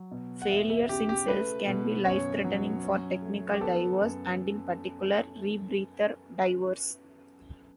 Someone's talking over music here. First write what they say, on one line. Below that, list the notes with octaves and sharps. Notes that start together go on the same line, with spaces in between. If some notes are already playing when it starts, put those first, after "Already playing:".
Failures in cells can be life-threatening for technical divers and in particular, rebreather divers.
Already playing: F#3
B2
F#5
E2 E5
E5
C#3 G4
G4
A3 B4
B2
F#2 C#5
F#3
C#4
A3
G4
B3 A4
F#2